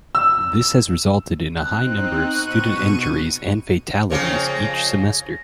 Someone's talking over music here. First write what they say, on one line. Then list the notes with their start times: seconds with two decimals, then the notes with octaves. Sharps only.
This has resulted in a high number of student injuries and fatalities each semester.
0.15 E6
1.59 C4 D#4 F#6
2.24 B2 C#6 D#7
4.10 F2 C#3 A#3